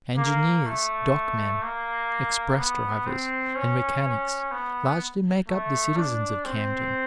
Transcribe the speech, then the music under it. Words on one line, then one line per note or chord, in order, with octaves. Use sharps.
Engineers, dockmen, express-drivers and mechanics largely make up the citizens of Camden.
A#3
A3
A#3
B3
C4
C#4
C#4
B3
A3
D4
C4